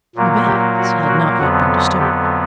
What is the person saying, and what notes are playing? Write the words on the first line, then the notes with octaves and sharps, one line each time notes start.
The bed had not yet been disturbed.
A#2 F#3 A#3
G4
F#4
F#4
F2 D3 F#3 B3 F#4
G4